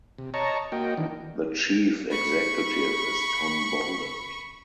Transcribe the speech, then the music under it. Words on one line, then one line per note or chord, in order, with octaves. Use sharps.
The Chief Executive is Tom Boland.
C3
C#5 D#5 A5 A#5 C#6
A#3 F#4 D#5 G5
D#3 E3 D4
B5 C#6